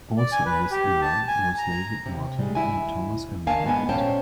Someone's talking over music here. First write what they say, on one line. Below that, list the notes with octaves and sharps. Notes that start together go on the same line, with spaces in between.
Also in this era was the David Martin and Thomas Emlyn debate.
D5
G#5
B4
G4
A5
G#5
A#5
C3
G3 G#3
D#2 E4 G#5
D2 D#3 A#3 F5 G#5 A5
G#2 B3 D#5 G#5
A#2 C#4 C5 F5 G5 A5